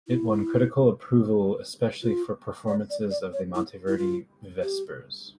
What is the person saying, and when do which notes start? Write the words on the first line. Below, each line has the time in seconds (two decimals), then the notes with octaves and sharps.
It won critical approval especially for performances of the Monteverdi Vespers.
0.08 E4
2.03 F4
2.68 D5
2.90 D5
3.11 D5
3.33 C#5
3.55 E4
3.88 E4
3.98 F4
4.63 G4